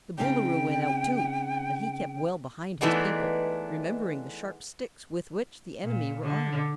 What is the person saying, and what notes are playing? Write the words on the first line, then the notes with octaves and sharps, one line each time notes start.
The Boolooroo went out, too, but he kept well behind his people, remembering the sharp sticks with which the enemy were armed.
C#3 C4 D#4 G5
E3 G#3 A3 B3 D4 D#4
A#2
D3